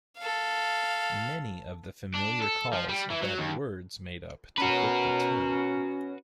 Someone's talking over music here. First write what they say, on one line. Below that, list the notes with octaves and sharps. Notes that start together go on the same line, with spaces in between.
Many of the familiar calls have had words made up to fit the tune.
A4 F5
D4
A4
F3
G3
E3
F#3
D#2
C#4 F#4 A#4 B4